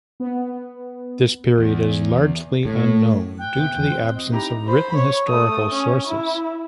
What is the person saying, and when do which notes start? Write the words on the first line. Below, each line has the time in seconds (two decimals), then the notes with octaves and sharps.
This period is largely unknown due to the absence of written historical sources.
0.20 B3
1.58 E2
2.65 A2
3.39 G5 F#6
3.55 C3 B3 G4
3.75 E2
3.90 C4
4.15 F4 D#5
4.32 D#4 E4 G4 A#5 B5
4.68 C5 B5
4.96 C#5
5.29 A3 D#6
5.71 C#4
6.07 E4